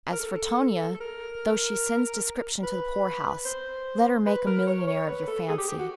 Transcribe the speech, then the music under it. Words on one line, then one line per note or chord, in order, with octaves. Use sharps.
As for Tonia, though she sends description to the poorhouse, let her make a millionaire of your fancy.
A#4
A4
A4
A#4
B4
C5
B4
A#4
C#5
C#5
B4
A4
G#4
G4
G4
F#4